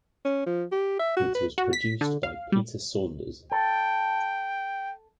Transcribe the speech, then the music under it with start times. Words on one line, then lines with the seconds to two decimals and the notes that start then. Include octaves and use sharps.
It was produced by Peter Saunders.
0.25 C#4
0.46 F3
0.71 G4
0.99 E5
1.17 F#4
1.35 B4
1.58 F#4
1.73 B6
2.01 D3
2.23 F5
2.52 G3
3.52 A4 G5